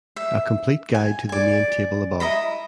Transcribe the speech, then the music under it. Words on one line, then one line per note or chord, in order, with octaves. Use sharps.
A complete guide to the main table above.
E5
G#5
D5 G#5
E4 D#5 A#5 B5